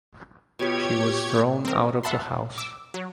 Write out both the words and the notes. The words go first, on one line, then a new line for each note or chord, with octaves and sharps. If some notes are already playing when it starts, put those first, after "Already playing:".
She was thrown out of the house.
B2 F4 G4 C#5 G#6
C4 A#4
E5 F#5 A5 B5 C6
D6 E6
F#3